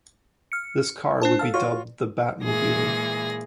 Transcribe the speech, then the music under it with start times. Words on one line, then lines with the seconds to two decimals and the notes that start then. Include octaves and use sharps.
This car would be dubbed the "Batmobile".
0.52 F6 C#7
1.21 D4 C5 A5
1.39 A4 F5 A5 F6
1.54 F4 F#4 C#5 C#6
2.43 A#2 E3 G#3 G#4 A#6